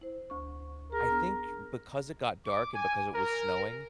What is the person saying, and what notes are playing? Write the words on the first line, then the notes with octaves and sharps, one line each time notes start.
I think, because it got dark and because it was snowing,
E4 C5
D2 C#6
G#4 A#4
B3 D4
D6
G#5
A#4